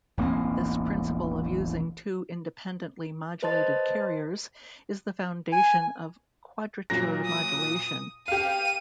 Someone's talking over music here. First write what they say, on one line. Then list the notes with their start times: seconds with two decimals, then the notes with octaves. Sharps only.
This principle of using two independently modulated carriers is the foundation of quadrature modulation.
0.17 E1 A1 A#3 C4
3.43 B4 C5 D#5 A5 C6 A6
5.52 G#5
6.90 A#2 F#3 A#6
7.26 D#6
8.28 G4 F5 D#7